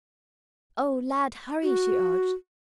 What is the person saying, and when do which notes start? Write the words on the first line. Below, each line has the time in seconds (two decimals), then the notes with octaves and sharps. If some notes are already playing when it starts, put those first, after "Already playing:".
"Oh, Lad, hurry!" she urged.
1.63 F#4